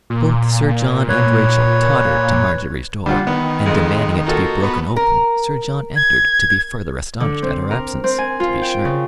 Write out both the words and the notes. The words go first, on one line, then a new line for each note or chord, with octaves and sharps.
Both Sir John and Rachel tottered to Marjory's door, and demanding it to be broken open, Sir John entered to be further astonished at her absence, to be sure.
A#2
B4 C#5
D3 G3 F4 F#5
D#3 B3
F2 G#3
A#3 D#4 F4 F#4 A4
B3
A#4
G#6
D3
C4
A#4
C4
G#5
F4
G5
C#3